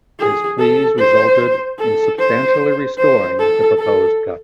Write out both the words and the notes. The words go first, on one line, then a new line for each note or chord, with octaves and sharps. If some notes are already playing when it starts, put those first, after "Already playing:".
His pleas resulted in substantially restoring the proposed cuts.
G#4
A4
C5
A4
C5
C5
A4
A4